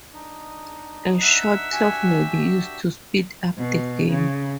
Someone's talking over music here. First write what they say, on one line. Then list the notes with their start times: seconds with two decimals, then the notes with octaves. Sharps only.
A shot clock may be used to speed up the game.
0.14 D4 D#4 D#5
1.22 E5 F#5
1.72 D4 F#4 G4 G#5
3.57 B2
4.10 C#3